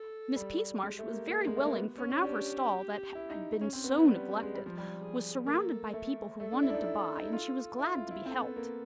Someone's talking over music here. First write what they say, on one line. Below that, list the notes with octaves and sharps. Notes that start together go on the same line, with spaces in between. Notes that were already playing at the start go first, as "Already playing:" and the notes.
Miss Peasmarsh was very willing, for now her stall, that had been SO neglected, was surrounded by people who wanted to buy, and she was glad to be helped.
Already playing: A4
G3
G#3 G4
A3
A#3
A#3
G#3
A3
A#3
B3
C#4
C#4
D4 G4
E4
D#4
C#4
C4
B3
B3
G3 G4
G#3
G3
F3
G3
G#4
A#3 A4
A3
A3 A4
D4
E4
D4
D#4
E4
D#4
E4
F4
E4
F4
E4
C4 A4
B3
A#3